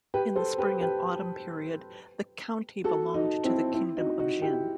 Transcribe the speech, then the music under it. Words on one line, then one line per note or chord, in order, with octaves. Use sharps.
In the Spring and Autumn period, the county belonged to the kingdom of Jin.
G4 B4
A4 C5
G4 B4
G4 B4
F#4 A4
D#4 F#4
C4 E4
C4 E4
D#4 F#4
D#4 F#4
E4 G4